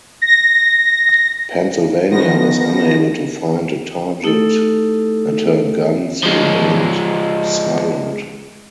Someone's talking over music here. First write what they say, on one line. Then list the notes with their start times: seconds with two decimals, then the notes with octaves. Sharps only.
"Pennsylvania" was unable to find a target and her guns remained silent.
0.22 A#6
2.10 D#3 F3 B3 A#6
4.23 A3 D#4 E4 G4 A4
6.23 F3 G#3